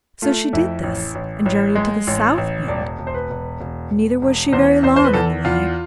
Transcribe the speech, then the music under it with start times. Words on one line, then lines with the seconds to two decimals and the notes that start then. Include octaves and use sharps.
So she did this, and journeyed to the South Wind, neither was she very long on the way.
0.22 A3 F4
0.53 F2 E4
0.83 A1
1.15 A1
1.46 A1
1.76 G#3
2.07 A1
2.38 A1
2.68 E1 D5
2.99 E1
3.07 C5
3.14 B4
3.30 E1
3.60 E1
3.91 E1
4.22 E1
4.53 E2 C5
4.83 E2 C5
4.96 C5
5.05 B4
5.13 E2 A4
5.45 E2 F4